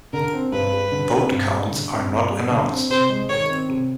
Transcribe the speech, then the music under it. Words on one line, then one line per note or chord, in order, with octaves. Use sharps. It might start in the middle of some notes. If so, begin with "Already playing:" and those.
Vote counts are not announced.
D3 A#4
C4
G2 B4
G3
D3
C4
G2
G3
D3
C4
G2
G3
D3
C4
C3 C5
G#3
D#3 C#5
C4
C3